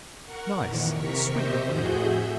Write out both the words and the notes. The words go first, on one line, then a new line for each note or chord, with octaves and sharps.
"Nice, sweet young lady."
A#4 F#5 C#6
F2 A#2 D#3 E3
C3 A#4 C#6 B6
G4 C5 D#5 E5 G5
F2 A2 F#4 G#4 G6
E5